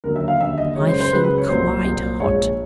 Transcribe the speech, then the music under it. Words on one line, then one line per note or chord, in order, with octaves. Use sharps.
I feel quite hot.
D#2 D3 F#3 A#4
E5
F5
D#2 D3 F#3 E5
D#5
C#2 C#3 F#3 C#5
C5
C5
C#2 C#3 F#3 B4
B4
C#5
C2 A#2 F#3 C5
C2 A#2 F#3
A#1 G#2 F3 C#5